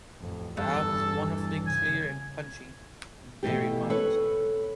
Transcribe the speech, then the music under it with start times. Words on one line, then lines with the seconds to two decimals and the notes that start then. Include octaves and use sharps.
The album's wonderfully clear and punchy, and very modern-sounding.
0.20 A1 F2
0.57 E2 G2 E3 A4
1.66 C#3 G#5
3.43 B2 E3 A3 G4
3.90 A4 B4 C#5